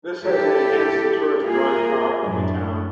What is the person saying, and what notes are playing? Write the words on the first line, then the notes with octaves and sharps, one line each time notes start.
This has enhanced the tourist drawing power of the town.
E4 G4 A4
A#3 F4 G#4 A#4
F#2 A2 D4